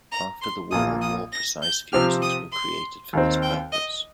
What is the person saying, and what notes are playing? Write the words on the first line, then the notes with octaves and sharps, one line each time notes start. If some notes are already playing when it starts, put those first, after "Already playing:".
After the war more precise fuses were created for this purpose.
A#5
C6
A#1 A#2 A#3 D#6
D#6
A#6
G6
C3 F3 C4 G4 F6
D#6
C6
D#2 D#3 C4
G5
D#5